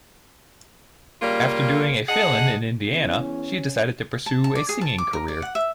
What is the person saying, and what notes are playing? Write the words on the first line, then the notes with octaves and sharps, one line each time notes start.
After doing a fill-in in Indiana, she decided to pursue a singing career.
C#3 G3 A#3 F4
D4 G#4 D#5 F#5
E2 C#4
A5
A5
D5
G#4
A5
D6
A#4
D5
F#5
E5